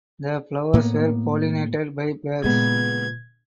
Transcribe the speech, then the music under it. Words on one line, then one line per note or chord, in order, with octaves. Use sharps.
The flowers are pollinated by birds.
A2 A#3 B3
A#2 C#3 G#3 B3 G#6